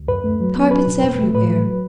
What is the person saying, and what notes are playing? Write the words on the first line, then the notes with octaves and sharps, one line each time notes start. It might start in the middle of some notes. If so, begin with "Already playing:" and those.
Carpets everywhere.
Already playing: D2
F#2 B4
A3
F#3
B3
F#3 B4
B2
E2
A3
A2 B4
F#3
F#3